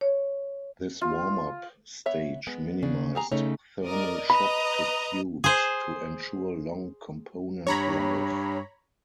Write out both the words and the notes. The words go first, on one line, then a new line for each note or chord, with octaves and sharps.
This warm-up stage minimized thermal shock to tubes to ensure long component life.
C#5
F4
B3 C#5 E5
G#3 B3
C#3 D4
G4 G#4 A#5
C#3 A3 D#4 C#5
A#4 D5 D#5
B4 D#5 A#5 B5
G#4 C5
G2 C#5 A#5 B5